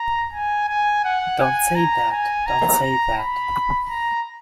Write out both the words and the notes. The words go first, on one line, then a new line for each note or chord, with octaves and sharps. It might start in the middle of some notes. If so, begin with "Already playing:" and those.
Don't say that, don't say that.
Already playing: A#5
G#5
G#5
F#5
G#5
A#5
G#5
A#5
A#5
B5
A#5